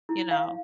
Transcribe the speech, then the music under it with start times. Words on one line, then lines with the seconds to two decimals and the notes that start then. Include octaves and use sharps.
you know,
0.09 E4
0.31 F5